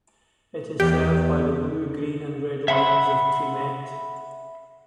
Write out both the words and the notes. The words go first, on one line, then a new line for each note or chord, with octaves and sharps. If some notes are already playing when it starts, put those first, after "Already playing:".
It is served by the Blue, Green and Red Lines, of TriMet.
E2 G4
E5 F#5 B5 C6